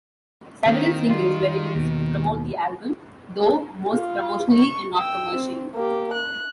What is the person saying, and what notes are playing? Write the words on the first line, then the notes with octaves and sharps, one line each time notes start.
Several singles were released to promote the album, though most promotionally and not commercially.
D#3 A#3 C4
G3 F4
D#2 B2
F4
C#6
G5 E6
C4
A#3 G4
F#6